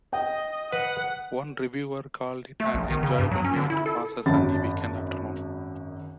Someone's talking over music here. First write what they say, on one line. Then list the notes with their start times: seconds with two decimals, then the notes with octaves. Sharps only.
One reviewer called it an enjoyable way to pass a sunny weekend afternoon.
0.13 D#5 G5
0.72 B4 F#5
2.60 A3
2.74 A#1
2.90 D#3
3.03 C#3
3.18 G2
3.32 F#3
3.44 C#4
3.56 D3
3.70 E4
3.86 A4
4.26 G#1 F#2 A5 B5 A6